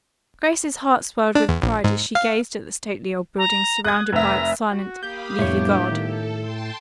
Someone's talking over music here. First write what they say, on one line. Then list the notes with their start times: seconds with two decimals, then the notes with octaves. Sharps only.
Grace's heart swelled with pride as she gazed at the stately old building surrounded by its silent, leafy guard.
1.35 D4
1.49 E2
1.62 A#1
1.84 G#2
2.15 F5
3.38 A#5
3.85 D#6 F#6 G#6
4.13 F1 E5 A#5
4.71 F#4
5.03 A#3 G4 F5 B5 D#6 G6
5.39 F2 A2 C3 G3 B3 D4 C#5
5.91 D#3 A4
6.37 G5 A5 C6